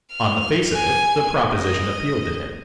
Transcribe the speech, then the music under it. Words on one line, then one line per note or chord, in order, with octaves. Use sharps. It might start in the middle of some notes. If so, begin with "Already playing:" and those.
On the face of it, the proposition appealed to him.
F6
G#5
D#5